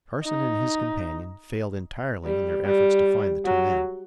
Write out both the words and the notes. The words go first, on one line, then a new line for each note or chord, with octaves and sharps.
Carson and his companion failed entirely in their efforts to find the two men.
D#4
G3
G3
F#3